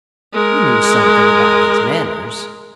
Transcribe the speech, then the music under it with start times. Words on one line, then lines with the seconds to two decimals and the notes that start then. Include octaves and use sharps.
"We knew something about his manners."
0.34 G#3 A#4